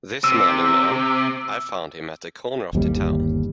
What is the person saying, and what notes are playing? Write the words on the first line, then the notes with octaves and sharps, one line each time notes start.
This morning, ma'am; I found him at the corner of the town.
C3 E6
G1 D#2 G3